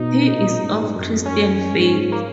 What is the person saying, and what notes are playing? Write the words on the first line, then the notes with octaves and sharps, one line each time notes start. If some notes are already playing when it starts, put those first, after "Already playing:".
He is of Christian faith.
Already playing: B2 D#4
A#2
G#2
F#2
F#2 C#4
G#2
A#3